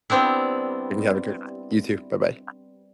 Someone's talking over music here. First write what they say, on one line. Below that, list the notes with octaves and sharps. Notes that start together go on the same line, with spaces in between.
And you have a good You too, bye-bye.
G3 B3 C4 D4 E4